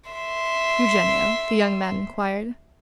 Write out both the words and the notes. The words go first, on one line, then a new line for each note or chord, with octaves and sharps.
"Eugenio?" the young man inquired.
E5 C6